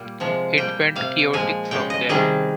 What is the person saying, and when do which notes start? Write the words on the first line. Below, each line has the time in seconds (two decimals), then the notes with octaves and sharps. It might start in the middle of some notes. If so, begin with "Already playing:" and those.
It went chaotic from there.
Already playing: A#2 G3
0.20 C3 F3 G#3
0.58 A#2 G3 G5
0.96 C3 G3 F5
1.33 A#2 F3 G#3 G#5
1.71 C#3 G#3 G5
1.90 D#5
2.09 C3 D#3 G3 G#4